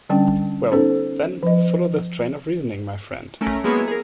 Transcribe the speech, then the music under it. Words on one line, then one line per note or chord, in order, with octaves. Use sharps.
Well, then, follow this train of reasoning, my friend!
D3 G3 C#4 D4 G5 A5
B3 C#4 D#4 A4 C5
F3 B4 D#5
A3 C#4 A#4
F#3 G#3 A#3 B3 E4 C#5
G#4 A#4